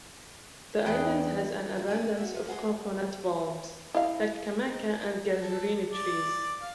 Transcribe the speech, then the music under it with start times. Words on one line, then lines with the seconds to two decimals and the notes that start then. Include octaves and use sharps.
The island has an abundance of coconut palms, "Takamaka" and "Casuarina" trees.
0.86 E2 G#4 B4 G5
1.75 D#3 F3 A3 F#4
1.88 C#4 D4 E4 G4 G#4 D5
2.05 G#3
2.17 F#4 E5
2.35 F3
2.48 F#4 G#4 B4 C5
3.95 E4 D#5 F5
4.70 D#4
5.40 A4
5.92 D5
6.62 F5